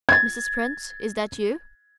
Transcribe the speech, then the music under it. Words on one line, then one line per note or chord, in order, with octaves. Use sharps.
"Mrs. Prince, is that you?"
G#6 A6